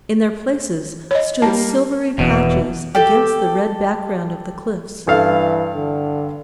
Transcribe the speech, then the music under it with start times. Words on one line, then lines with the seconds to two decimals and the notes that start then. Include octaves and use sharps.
In their places stood silvery patches against the red background of the cliffs.
1.11 C#5 D#5
1.42 G3 A#3 A5
2.18 F1 E2 B2 E3
2.95 G4 A4
5.07 G2 E3 A4 F5
5.75 D3